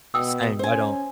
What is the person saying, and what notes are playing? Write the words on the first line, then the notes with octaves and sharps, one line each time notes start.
Saying I don't
B2 G5 D#6 E6
C#4 C5 G#5